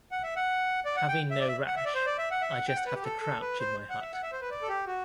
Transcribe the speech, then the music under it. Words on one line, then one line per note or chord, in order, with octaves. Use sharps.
Having no rash, I just have to crouch in my hut.
F#5
E5
F#5
D5
F#5
G5
E5
D5
E5
F#5
E5
D5
C5
D5
E5
F#5
E5
F#5
G5
F#5
B4
G4
A4
A4
B4
C5
F#5
E5
F#5
E5
C5
B4
D5
A4
G4
F#4